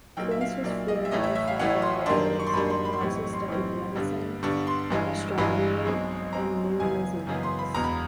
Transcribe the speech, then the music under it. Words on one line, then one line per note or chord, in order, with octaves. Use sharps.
Kunze was fluent in five languages and had also studied medicine, astronomy and numismatics.
B1 A#2 F#3 G5
E5
F5
B1 A#2 F#3 D5
D#5
E5
A1 A2 E3 A3 C#4 D#5
E5
E5
F5
A1 A2 E3 A3 C#4 F#5
C6
F#2 D#3 G3 A#3 D4 C6
C#6
C6
F#2 D#3 G3 A#3 D4 B5
C6
B5
C6
B1 A2 E3 G3 C4 C#6
C#6
C6
B1 A2 E3 G3 C4 C#6
G2 D3 G3 B3 D4
G2 D3 G3 B3 D4 C#6
C6
G1 G2 E3 G#3
G1 G2 E3 G#3 B5
B1 B2 G#3 C4
B1 B2 G#3 C4 A#5
F#2 C#3 E3 G#3 B3 G#5
F#2 C#3 E3 G#3 B3
C6
B5
E1 E2 B2 A#5
B5